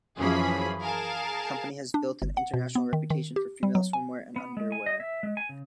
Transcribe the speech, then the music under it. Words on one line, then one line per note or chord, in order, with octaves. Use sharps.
The company has built an international reputation for female swimwear and underwear.
F#2 E3 F3 C#4 G#4 B5
G#4 A#4 F5 A5
D4
G1
F#5
B2
B3
D#3
D#3
G4
G3
F#3
G#5
B3
G#3
G#5
D#5
E5
G#3
G#5
C#3